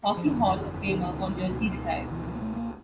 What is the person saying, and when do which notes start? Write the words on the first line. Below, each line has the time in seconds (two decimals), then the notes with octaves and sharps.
Hockey Hall of Famer or jersey retired.
0.17 F3
0.25 G1 F2 D3 E3
0.88 C#2 B2 D#3
1.49 C#2 B2
2.10 C#2 B2 E3
2.27 F3
2.35 A#3
2.42 A3
2.56 A#3